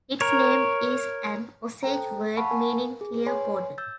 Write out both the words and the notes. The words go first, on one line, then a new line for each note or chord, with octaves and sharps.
Its name is an Osage word meaning clear water.
A#4 C#5
A4 C5 G5 A#5
F5 F#5 A5 B5 C#6 E6
A#4 G#5
G#4
B4 C#5 G#5 C6
E6 G6 A6